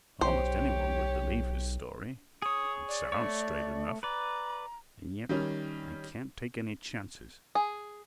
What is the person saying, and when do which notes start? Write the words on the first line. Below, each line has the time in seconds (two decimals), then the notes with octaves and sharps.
Almost any one would believe his story--it sounds straight enough--and yet I can't take any chances.
0.21 B1 G4 C5 C#5
2.42 G#4 C#5 D#6
2.88 D5
3.12 A3 C#5
4.03 B4 D5 A#5
5.29 D#3 G3 C#4
7.55 G#4